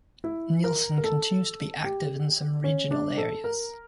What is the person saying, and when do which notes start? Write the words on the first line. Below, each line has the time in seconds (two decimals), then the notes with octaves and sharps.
Nielsen continues to be active in some regional areas.
0.24 E4
0.64 A#4
0.98 A#4
1.04 A4
1.84 G4
2.64 C#4
2.91 D4
3.17 A4
3.44 A#4